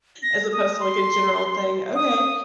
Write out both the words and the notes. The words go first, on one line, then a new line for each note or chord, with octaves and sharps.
as opposed to, like, a general thing. Okay,
A#6
D#6
C6
D#6